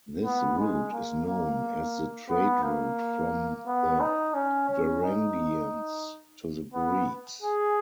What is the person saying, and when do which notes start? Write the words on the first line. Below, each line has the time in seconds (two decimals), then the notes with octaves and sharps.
This route is known as the trade route from the Varangians to the Greeks.
0.23 B3
0.58 G#3
0.92 A#3
1.27 A#3
2.29 B3
2.63 A#3
3.66 B3
4.00 D#4
4.34 C#4
4.69 C#4
5.03 D#4
6.73 B3
7.42 G#4